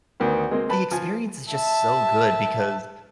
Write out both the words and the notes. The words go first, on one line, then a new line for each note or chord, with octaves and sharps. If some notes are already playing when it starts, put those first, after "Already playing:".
The experience is just so good because,
D2 D#3 B3
G#3 A#3 C4
B4 A5 B5
F3 G#5
E5 A5